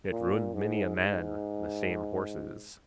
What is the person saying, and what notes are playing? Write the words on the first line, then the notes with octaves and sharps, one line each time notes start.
It ruined many a man, the same horses.
A#2
G#2
G#2